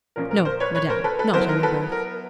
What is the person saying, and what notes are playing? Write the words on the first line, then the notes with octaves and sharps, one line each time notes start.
"No, madame, not in your berth."
A#2 F3 A#3 C#4 A#4
A#4
A#4 C5
B4 C#5
B4 C#5
A#4 C5
A4 B4
A4 B4
F#3 B3 E4 A#4 C5
A#4
A4 B4
A#4